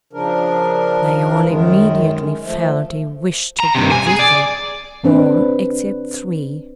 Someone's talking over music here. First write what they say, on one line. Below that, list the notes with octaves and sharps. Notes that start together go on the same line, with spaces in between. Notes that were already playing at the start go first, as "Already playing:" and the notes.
They all immediately felt a wish to go thither; all except three.
C#3 F3 D4 A#4
F#2 D#3 G#3
F3 A3
A#5
G2 C3
G#5
G#4
D5
C4 D4 B4